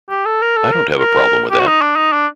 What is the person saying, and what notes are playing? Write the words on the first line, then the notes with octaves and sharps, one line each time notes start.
I don't have a problem with that.
G4
A4
A#4
A4
A#4
A#4
G4
F#4
D#4
D4
D#4
D4